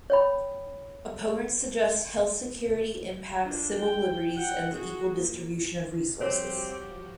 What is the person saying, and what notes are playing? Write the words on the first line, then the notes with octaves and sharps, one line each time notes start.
Opponents suggest health security impacts civil liberties and the equal distribution of resources.
C#5 G5 B5
D4 F4
G5
F#5 G5
F#4 G#4
A#3
F3 G3 C4 F#4 G4 C#5